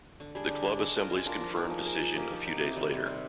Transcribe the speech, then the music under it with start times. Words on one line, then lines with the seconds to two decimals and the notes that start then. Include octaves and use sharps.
The club assemblies confirmed decision a few days later.
0.20 D3
0.35 G3 D4 G#4
0.50 D3
0.65 G3 D4 G#4
0.80 G#3
0.96 D4 F4 A#4
1.10 G#3
1.25 D4 F4 A#4
1.40 F3
1.56 A#3 D#4 G#4
1.70 F3
1.85 A#3 D#4 G#4
2.00 F3
2.16 A#3 D#4 G4
2.30 F3
2.46 A#3 D#4 G4
2.60 C3
2.76 D#3 G3
2.90 C3
3.06 D#3 G3